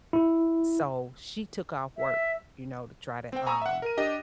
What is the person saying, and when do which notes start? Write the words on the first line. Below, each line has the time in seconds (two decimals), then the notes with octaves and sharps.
So she took off work, you know, to try to, um,
0.13 E4
1.97 E5
3.33 C4 G5
3.46 G#5 A#5 B5 C#6 D#6 E6
3.62 E5 F#5
3.82 A#4 D#7
3.97 D4 G4 D#5 A#6